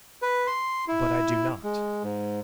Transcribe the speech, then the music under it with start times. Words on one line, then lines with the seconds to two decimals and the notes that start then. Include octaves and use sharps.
"But I do not."
0.22 B4
0.47 C6
0.88 E4
1.64 G#3
2.03 G#2